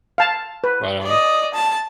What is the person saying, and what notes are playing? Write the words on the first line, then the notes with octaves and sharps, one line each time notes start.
but, um
F5 A5
B4
D5 D#5
A5